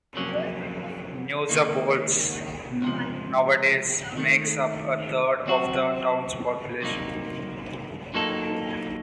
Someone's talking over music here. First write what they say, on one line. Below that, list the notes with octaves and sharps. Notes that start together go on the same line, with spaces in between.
Neugablonz nowadays makes up a third of the town's population.
F2 C3 F#3 A#3 C#4
C#2 C3 D#3 A#3 D#4
C#2 C3 F3
D#2 D#3 A3
C3 F#3 C4 F#4
C2 C3 F#3 A#3 D#4
A#2 F#3 A#3 D#4 A4